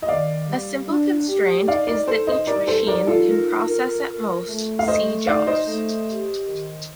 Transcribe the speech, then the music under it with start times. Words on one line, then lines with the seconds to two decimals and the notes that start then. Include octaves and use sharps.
A simple constraint is that each machine can process at most "c" jobs.
0.02 D#5
0.08 D#3 D5 F5
0.48 G3
0.88 D4
1.28 G4
1.68 D#4 D5 F5
1.87 A#4 D5
2.08 D#4 A4 C5
2.27 C5 D#5
2.47 G3 A#4 D5
2.67 A4 C5
2.87 D#4 A#4 D5
3.07 F4 A4
3.28 A#4
3.68 A#4
4.08 A#4
4.47 A3
4.79 F5
4.87 A3 C5 D#5
5.27 D#4 D5 F5
5.47 C5 D#5
5.67 A3
6.07 G4
6.47 D#3